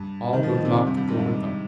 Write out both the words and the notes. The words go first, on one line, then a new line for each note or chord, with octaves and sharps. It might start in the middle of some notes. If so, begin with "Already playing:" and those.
All good luck go with them.
Already playing: G2
D#3
F3
D#3
C3
C3
G2
G2
G#2
G2